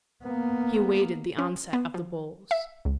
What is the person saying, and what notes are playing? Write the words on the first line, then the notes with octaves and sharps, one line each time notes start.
He awaited the onset of the bulls.
A#3 B3
C#4
B3
F3
E5
C#2